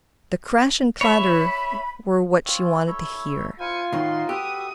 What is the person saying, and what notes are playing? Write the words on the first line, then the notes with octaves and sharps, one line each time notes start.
The crash and clatter were what she wanted to hear.
C#5 E5 B5
C4 F4 C#5
E4 A4 C#5
E4 F4 C5 F5 G#5 C#7
A2 D#3 D#4 F#4 D#5 F#5 C6
F#4 G4 A4 B4 E5 D#6